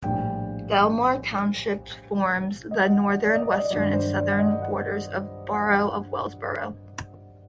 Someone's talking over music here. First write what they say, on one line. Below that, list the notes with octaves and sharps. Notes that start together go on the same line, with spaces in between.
Delmar Township forms the northern, western, and southern borders of the borough of Wellsboro.
A#1 A2 G3 D4 G5
D#5
F#5
D5
D#5
D5
D#5
D5
G2 D#3 F#3 D5
C5
D5
F#5
D#5
F#5
F#5